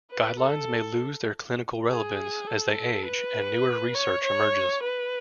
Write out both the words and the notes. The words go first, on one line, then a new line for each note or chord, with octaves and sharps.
Guidelines may lose their clinical relevance as they age and newer research emerges.
B4
A4
G#4
A4
B4
C#5
C#5
B4